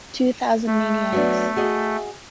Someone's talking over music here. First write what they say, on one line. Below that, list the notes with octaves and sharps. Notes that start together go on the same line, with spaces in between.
Two Thousand Maniacs!
A3
F#3 B3 D4
F#4 G#4 D#5